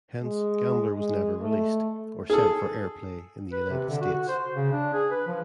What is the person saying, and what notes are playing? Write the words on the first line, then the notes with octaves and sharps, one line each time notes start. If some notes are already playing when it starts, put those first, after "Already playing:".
Hence "Gambler" was never released, or sent for airplay in the United States.
G#3
G#3
A3
G#4 A4
B4
C3
D3
F#4
C5
C#3
D4
G#4
B4
F3